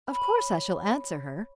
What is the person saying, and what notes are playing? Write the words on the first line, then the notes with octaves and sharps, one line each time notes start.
"Of course I shall answer her."
C#5 B5